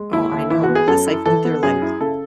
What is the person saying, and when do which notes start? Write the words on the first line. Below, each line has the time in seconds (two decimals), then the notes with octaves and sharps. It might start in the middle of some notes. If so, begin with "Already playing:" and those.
Oh, I know, plus, I think they're, like,
Already playing: G#3
0.13 D#2 E4
0.31 D#2
0.50 E3 E4
0.63 F#4
0.69 B3
0.75 G#4
0.88 F#2 A4
1.07 E4
1.26 E3 A4
1.44 B3
1.63 F#2 G#4
1.82 E4
2.00 C#3 A4